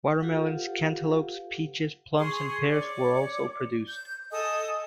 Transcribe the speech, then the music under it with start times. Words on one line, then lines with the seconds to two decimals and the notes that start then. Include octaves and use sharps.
Watermelons, cantaloupes, peaches, plums, and pears were also produced.
0.21 F4 G4 A4 B4 F5 F#5
2.18 G#4 C6 C#6
2.70 C#5 D5 D6
3.88 G6
4.31 A4 D#5 G#5 D#6